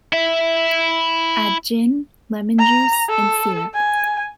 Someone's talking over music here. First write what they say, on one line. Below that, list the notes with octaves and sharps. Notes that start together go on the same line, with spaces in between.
Add gin, lemon juice and syrup.
E4 E5
A#5
A4
G#5